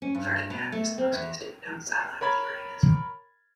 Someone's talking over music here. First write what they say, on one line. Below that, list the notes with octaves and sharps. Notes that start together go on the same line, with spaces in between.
Ferdinand is the most distant known satellite of Uranus.
C#4
G2
B2
A3
C4
E2
A#4 C#5 B5 G#6 A6